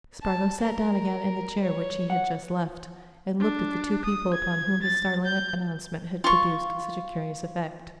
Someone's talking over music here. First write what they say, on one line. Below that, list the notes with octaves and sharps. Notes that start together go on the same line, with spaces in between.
Spargo sat down again in the chair which he had just left, and looked at the two people upon whom his startling announcement had produced such a curious effect.
A5
A#4
C#5
F#5
D4
D#6
G#6
A6
G6
F4 C#6